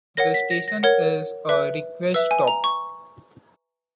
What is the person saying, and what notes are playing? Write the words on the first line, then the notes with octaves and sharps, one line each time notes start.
The station is a request stop.
A#4 C#5 F#5 A#6
B6
A#6
A#6
A#4 C#5 F#5 G#6
B4 E5
B4 E5 E6
G#5
A#5
C#6